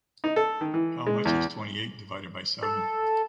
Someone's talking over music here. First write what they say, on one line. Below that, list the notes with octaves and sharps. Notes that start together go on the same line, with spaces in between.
How much is twenty-eight divided by seven?
D#4
A4
D#3
E3
G#3
E2
A4